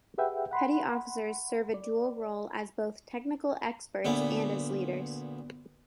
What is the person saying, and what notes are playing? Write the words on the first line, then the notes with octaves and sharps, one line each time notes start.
Petty officers serve a dual role as both technical experts and as leaders.
G4 G#4 B4 E5 F#5 G5
F#5 B5 C6
D5
D2 A#2 B3